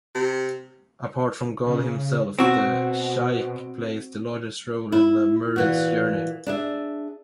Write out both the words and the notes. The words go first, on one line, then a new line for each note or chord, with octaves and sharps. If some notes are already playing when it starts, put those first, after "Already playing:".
Apart from God himself, the "shaikh" plays the largest role in the "murid's" journey.
C3
C#3
B2 C4 F#4
E4
A#2 E3 F#4
D4 G#4 E5